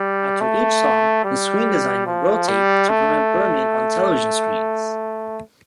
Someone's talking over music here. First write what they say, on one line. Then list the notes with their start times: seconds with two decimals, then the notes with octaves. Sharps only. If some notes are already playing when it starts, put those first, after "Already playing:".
After each song, the screen design will rotate to prevent burn-in on television screens.
Already playing: G3
0.41 A3
1.24 G3
2.06 F3
2.48 G3
2.89 A3